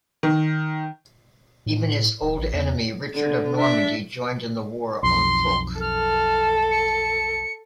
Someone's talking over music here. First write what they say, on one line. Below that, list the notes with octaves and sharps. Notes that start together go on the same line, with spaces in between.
Even his old enemy, Richard of Normandy joined in the war on Fulk.
D#3
A2
D1
A1
E2
D3
D4 E5
B1 F2 C6
A4 F6
C#7